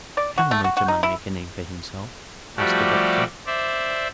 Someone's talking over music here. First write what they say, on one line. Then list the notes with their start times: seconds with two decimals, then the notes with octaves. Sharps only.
"Can a motorman make a name for himself?" asked the Doctor.
0.17 D5
0.38 F#4
0.51 A3
0.64 F#4
0.77 F#4
0.88 D#4
1.03 E4
2.57 F3 G3 A3 F#4 G4 D5
3.46 C5 D5 E5